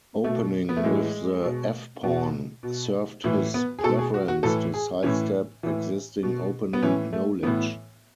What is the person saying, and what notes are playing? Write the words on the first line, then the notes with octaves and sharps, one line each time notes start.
Opening with the f-pawn served his preference to sidestep existing opening knowledge.
B2 A3
B3
A3
A2 E3 G#3
B2
B2
B2
A2 E3
B3
G#4
B2 A4
G#4
F#4
F#4
A2 E3 A4
G#4
A2 E3 C#4
A2 E3
B2
B3
A2 E3 C#4
A3
A2 E3 B3